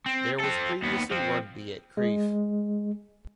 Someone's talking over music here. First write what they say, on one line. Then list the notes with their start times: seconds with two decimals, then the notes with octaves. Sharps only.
There was previously rugby at Crieff.
0.06 C4
0.40 C4 A4
0.83 D#2 B3
1.11 F3 C4
1.97 G#3